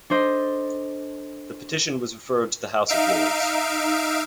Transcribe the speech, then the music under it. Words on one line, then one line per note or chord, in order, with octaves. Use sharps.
The petition was referred to the House of Lords.
D4 A4 C5 D#5
D#4 E5 F5 D7